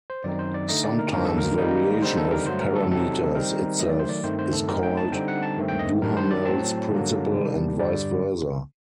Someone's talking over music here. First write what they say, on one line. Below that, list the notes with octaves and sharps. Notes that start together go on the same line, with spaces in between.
Sometimes variation of parameters itself is called Duhamel's principle and vice versa.
C5
F#2 D#3 F#3 C4 D#4 D5
C5
D5
D3 A3 D#4 D#5
D5
A#4
G2 D3 F#3 A#3 D#4 A#4
A4
A#4
D#3 G3 A#3 D#4
D3 G3 C4 D#4 C5
A4
A#4
G2 D3 F#3 A3 C5
A#4
A4
C3 F#3 C4 D#4 A4
D#3 G3 C4 D#4 A#4
D#3 F#3 A3 D#5
D5
C5
D5
G2 D#3 A3 C4 D#4 C5
C5
A4
F#2 F#3 A3 C4 D#4 A#4
G5
A5
D3 G3 C4 D#4 G5
F#5
A5
G2 D#3 A3 C4
G5
D#5
F#2 D#3 G3 D4 A#4
C5
D5
A2 F#3 C4 A5
G2 D3 F#3 A#3
C3 D#3 G3
G2 D3 G3 D5